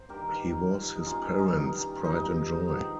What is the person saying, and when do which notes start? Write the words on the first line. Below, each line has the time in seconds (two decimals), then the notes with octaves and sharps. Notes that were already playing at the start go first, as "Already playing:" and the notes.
He was his parents' pride and joy.
Already playing: C5
0.09 G2 D#3 G4 A#4
0.74 G2 F3
0.95 D#4
1.06 C#4 F4
1.38 G2 D#3 D#4
2.04 G2 F3 D#4
2.69 G#2 D#3